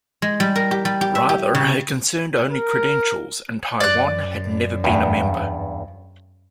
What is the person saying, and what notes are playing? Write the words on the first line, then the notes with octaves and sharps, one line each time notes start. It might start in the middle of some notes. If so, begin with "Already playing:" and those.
Rather it concerned only credentials and Taiwan had never been a member.
G#3
G3
A#4
G4
G3
G4
E5
G4
C#3
A#4
F#2 D5 F#6
E2 G2